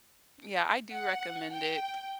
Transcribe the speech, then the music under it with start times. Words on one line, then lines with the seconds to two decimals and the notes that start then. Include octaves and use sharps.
Yeah, I do recommend it,
0.93 F#5
1.52 G5